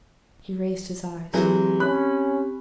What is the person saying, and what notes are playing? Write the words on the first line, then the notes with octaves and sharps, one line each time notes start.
He raised his eyes.
E3 F#3 G#3 C4 G4
C#4 B5 F#6